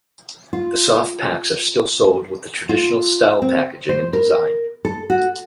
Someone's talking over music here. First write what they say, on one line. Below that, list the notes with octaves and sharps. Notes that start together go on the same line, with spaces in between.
The soft packs are still sold with the traditional style packaging and design.
F4
F4
C4
C5
A#4
A4
F#4